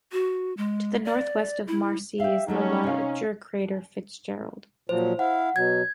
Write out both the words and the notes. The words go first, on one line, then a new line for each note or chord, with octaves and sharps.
To the northwest of Marci is the larger crater Fitzgerald.
F#4
G#3
D5
E4
G4 E5 F5
F#3 A3 C#4 D#4 G4
C3 F5
A#2 F3 F#3 C5
E4 F5 F#5
B2 F#3 G#6